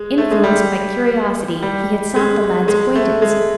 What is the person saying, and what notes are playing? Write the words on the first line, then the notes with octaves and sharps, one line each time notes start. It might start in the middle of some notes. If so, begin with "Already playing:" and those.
Influenced by curiosity he had sought the lad's acquaintance.
Already playing: G#3
A3
G#3
G3
G3
G#3
G#3
A3
G#3